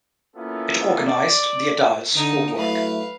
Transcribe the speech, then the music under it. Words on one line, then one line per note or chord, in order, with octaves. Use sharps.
It organized the adults for work.
A#3 B3 C#4 E4 F4 A4
D5
D3 D#4
F#3 A3 E4 B4 F5